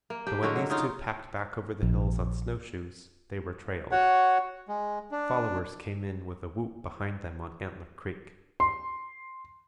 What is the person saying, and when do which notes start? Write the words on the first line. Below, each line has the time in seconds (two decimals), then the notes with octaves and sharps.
But when these two packed back over the hills on snowshoes, they were trailed. Followers came in with a whoop behind them on Antler Creek.
0.10 A#3
0.27 D4 G4
0.43 D3 G#3 C#4 F#4
0.56 F#3
0.70 C#3 D#4 F4
1.83 A#1
3.92 F#4 C#5 F#5
4.69 G#3
5.12 D4
8.60 C6